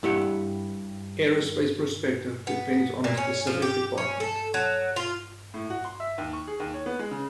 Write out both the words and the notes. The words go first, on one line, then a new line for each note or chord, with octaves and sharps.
Aerospace prospective depends on a specific department.
G2 E4 G4 F#5
B3
A#2
C#4
F3
G4
C#4
A4
F#3
F4
A2
F#4
C6
E5
D#2
C#6
G#4
D#2
C#5
B3
G#3
C#3